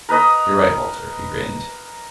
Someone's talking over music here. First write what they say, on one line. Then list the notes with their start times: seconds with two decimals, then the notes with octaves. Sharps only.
"You're right, Walter," he grinned.
0.09 A#4 B4 D#5 B5